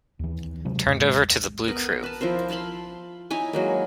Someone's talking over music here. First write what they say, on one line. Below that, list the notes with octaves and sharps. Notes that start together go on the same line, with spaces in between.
Turned over to the Blue Crew.
D#2 E3
C3 F#3 G#3
E2 A2 G#3
B3 A#4
B4 A5
F3 E4 A#4 C5
F5 A5 B5 C6
D#4 E4 C#5 G#5
F#3 G#3 A#3